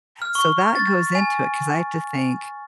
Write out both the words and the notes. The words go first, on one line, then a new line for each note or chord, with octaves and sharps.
So, that goes into it, 'cause I have to think,
F6
C#6
A6
G#5